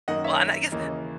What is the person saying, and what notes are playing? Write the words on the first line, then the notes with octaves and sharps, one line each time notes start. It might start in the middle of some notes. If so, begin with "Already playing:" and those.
Well and I guess
F#2 D#3 A#3 D#5 F#5
C#5 E5
D#2 C#3 E3 A#3 D#5